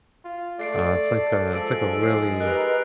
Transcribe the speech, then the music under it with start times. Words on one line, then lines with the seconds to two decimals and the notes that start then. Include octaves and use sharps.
Uh, it's like a it's like a really,
0.24 F4
0.59 A3 D5 A6 C7 D7
1.17 A4
1.53 F3 G#3 E6 D7
2.03 C7 D7
2.40 D#4 G4 A#4 B4 F#6